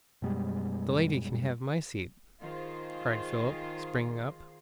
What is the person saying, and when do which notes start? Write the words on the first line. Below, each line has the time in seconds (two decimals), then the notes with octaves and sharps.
"The lady can have my seat," cried Philip, springing up.
0.22 F#2 B2 G3 G#3
2.40 D#3 F4 G#4 C5